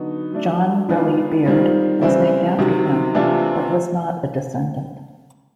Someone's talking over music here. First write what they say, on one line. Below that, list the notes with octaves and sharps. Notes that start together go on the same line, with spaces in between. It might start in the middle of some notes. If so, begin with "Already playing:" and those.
John Relly Beard was named after him, but was not a descendant.
Already playing: D3 F#3 B3 D#4 F#4
F#3 A3 D4
D#3 G#3 B3 D4 F4
D#3 G3 C4 F4
C#3 E3 G3 C4 E4
C3 D#3 F#3
C3 E3 A3 D4 F4